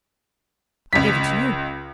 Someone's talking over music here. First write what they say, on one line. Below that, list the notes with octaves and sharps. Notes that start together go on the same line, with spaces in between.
I gave it to you.
C#2 B6